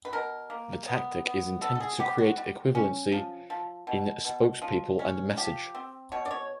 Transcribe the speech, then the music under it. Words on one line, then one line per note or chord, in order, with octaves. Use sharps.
The tactic is intended to create an equivalency in spokespeople and message.
B4
B2 A#4
A#3
B3
B3
B3 A4
A4
G#4
B3 G4
F#4
G3
C#4
F3
F3
B2
B2
F3
C#4
F3 G4
C4
B2 C#5
D5
C#5